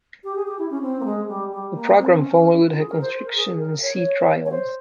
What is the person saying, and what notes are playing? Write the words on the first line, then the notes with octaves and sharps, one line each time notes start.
The programme followed her construction and sea trials.
G4
G#4
G4
E4
C#4
C4
A#3
G#3
G3
G3
A#3
C4
C#4
C#4
E4
F4
G#4
A#4
C5
A#4
G#4
A#4
C#5
C#5
C5